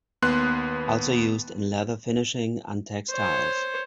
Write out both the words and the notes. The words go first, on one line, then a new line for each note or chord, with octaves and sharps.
Also used in leather finishing and textiles.
D#2 B3 C6 F#6
C5 C#5